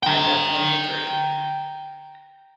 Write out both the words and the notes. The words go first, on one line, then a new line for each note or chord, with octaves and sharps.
I definitely agree.
G5 A#5